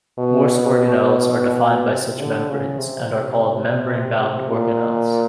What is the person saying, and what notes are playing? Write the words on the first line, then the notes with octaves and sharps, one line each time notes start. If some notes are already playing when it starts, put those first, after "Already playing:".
Most organelles are defined by such membranes, and are called "membrane-bound" organelles.
B2
B2
C3
D3
C#3
C3
A#2